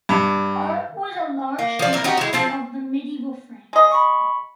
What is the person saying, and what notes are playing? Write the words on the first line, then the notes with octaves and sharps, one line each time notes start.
Art was a large staple of the medieval France.
G2
A#3
F3 D5
E4 A#4
D#4 F#4 G4
G#3 E4
F3 C4 A5
G#3 D#5
B5 C#6